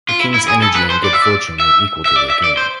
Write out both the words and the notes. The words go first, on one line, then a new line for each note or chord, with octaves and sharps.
The king's energy and good fortune were equal to the occasion.
F4
E4
E4
G#4
A4
B4
C5
D5
E5
D5
E5
E5
D5
E5
D5
C5